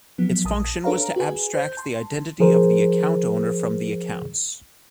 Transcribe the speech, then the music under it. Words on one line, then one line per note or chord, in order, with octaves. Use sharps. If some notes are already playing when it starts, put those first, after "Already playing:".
Its function was to abstract the identity of the account owner from the accounts.
F3 F#3 B3
A#1 A5 D#6
D4 A4 B4 C#5 F5 A#5
F#4 G#4 B4 G#5
C5 G6
A5 C6
F3 G#4 A#4 C5